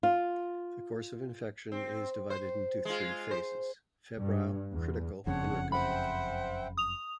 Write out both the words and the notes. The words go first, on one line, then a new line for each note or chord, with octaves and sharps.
The course of infection is divided into three phases: febrile, critical, and recovery.
F4
C4
C5
G#3 F4
C5
G2
E2
F#1 F2 C#3 D4 C#5 F#5
C5 E5 F#5 G5 B5
D#6 F7